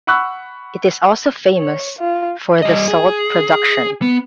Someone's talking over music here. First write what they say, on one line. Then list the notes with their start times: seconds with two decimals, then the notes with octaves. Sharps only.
It is also famous for the salt production.
0.07 F#5 B5 C#6 E6 F#6
1.57 C#5
1.98 F4
2.62 G3 D#5
2.88 G#4
4.02 B3